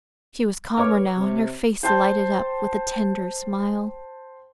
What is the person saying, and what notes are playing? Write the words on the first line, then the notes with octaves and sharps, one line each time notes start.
She was calmer now, and her face lighted up with a tender smile.
B4 C#5 D6 F6
C3
C5 G5 A5 C6 G6